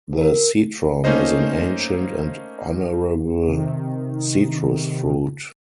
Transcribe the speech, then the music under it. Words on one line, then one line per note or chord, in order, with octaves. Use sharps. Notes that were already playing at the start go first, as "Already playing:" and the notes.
The citron is an ancient and honorable citrus fruit.
A#4
A3 A#3 C#4 D#4 C5 D#5
C3 D#3